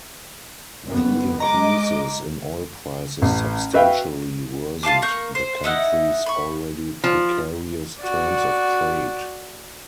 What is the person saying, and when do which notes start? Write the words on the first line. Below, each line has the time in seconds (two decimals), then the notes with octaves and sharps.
The increases in oil prices substantially worsened the country's already precarious terms of trade.
0.85 F#1 B3
1.40 G#3 D#5 A#5 D6
3.22 A1
3.73 F#4 B4 E5 F5 G5
4.83 F4 F5 A5 D6
5.02 A#3 A#4 C#6 G6
5.35 C5
5.64 D#4 E4 F#5
6.26 B5 C#6
7.04 F3
8.00 F#4 D5